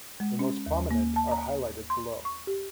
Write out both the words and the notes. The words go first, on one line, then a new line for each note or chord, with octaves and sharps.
The most prominent are highlighted below.
G#3
C#4
D#2
A#3
A5
A#5
C6
C#6
G4